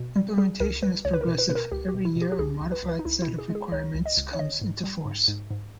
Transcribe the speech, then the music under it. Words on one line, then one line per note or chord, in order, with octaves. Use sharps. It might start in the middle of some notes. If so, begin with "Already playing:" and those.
Implementation is progressive, every year a modified set of requirements comes into force.
Already playing: B2
G3
G3 G#4
C#2 A#4
G3 B4
C#2 C#5
B4
A#4
B2
B4
B2 B4
A#4
C#2 G4
G4
B2
E4
B2
G4
G4
C#2 G#4
C#2
B4
C#2
B4
D#4
C#2 E4
E4
B2
G#4
G#3
G#4
C#2 C#5
C#2
D#5
C#2
C#5
D#3 D#5
G#2
G3
G#2
G#2
G#2